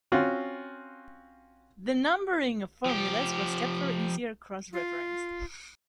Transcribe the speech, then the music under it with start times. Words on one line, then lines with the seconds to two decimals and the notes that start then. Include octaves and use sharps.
The numbering of formulas was kept for easier cross-reference.
0.12 C4 C#4 F4 F#4
2.85 F3 G4
4.73 F4